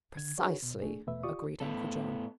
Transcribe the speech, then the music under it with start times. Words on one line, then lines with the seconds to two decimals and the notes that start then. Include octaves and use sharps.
"Precisely," agreed Uncle John.
0.17 D3 G#6
0.38 D4 D#4 F#4 G#4 B4 C#5
0.63 B2
0.82 A3 D4 G#4
1.07 E2 B2 A3 B4 E5
1.23 F4 G4 D5 C#6 D#6
1.60 A2 B3 A4